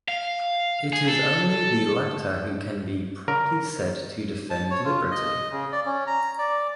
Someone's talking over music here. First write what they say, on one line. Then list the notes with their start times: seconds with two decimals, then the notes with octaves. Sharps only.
It is only the latter who can be properly said to defend liberty.
0.08 F5
0.93 G#4
1.08 A4
3.28 A#4
4.50 A5
4.70 C#5
4.85 F4
5.11 D#5
5.51 C#3
5.72 D5
5.85 C#4
6.07 A#5
6.39 D5